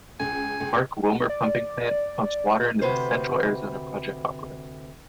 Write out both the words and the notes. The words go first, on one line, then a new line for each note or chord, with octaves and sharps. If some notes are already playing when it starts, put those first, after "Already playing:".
Mark Wilmer Pumping Plant pumps water into the Central Arizona Project Aqueduct.
C#2 G#5
C#2
D5
D2 C3 B4 C5